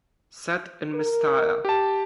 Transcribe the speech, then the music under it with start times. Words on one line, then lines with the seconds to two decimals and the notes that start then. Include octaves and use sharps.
Set in Mystara.
0.94 A#4
1.65 G4 A5